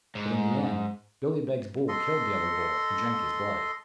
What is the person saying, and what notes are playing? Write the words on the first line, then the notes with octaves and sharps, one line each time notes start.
But in the end, Billy Beg's bull killed the other bull, and drank his blood.
G#2
A4 D#5 C6